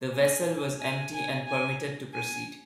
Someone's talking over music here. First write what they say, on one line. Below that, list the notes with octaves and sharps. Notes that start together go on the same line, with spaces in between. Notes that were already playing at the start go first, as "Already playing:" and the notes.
The vessel was empty and permitted to proceed.
G#5
G#5
G#5
G#5
G#5